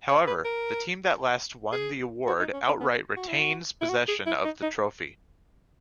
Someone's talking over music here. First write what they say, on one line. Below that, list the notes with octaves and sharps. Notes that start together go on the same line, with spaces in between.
However, the team that last won the award outright retains possession of the trophy.
C#5
B4
A#4
G#4
F#4
D#4
C#4
C#4
B3
F#4
E4
F#4
E4
F#4
G#4
E4
D#4
D#4